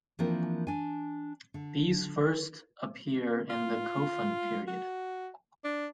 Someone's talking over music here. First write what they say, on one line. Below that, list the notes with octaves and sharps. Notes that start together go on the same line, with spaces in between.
These first appear in the Kofun period.
E3 F3 A#3 C4 D4 A#4
D4 G#5
D3
F4
F#4
D4